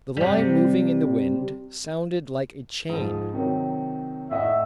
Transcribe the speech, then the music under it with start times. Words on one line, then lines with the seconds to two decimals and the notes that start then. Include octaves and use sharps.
The line moving in the wind sounded like a chain.
0.17 C3 G3
2.89 G#2 F3
3.33 C3 D#3 F#3
4.31 A2 D#5 E5 F#5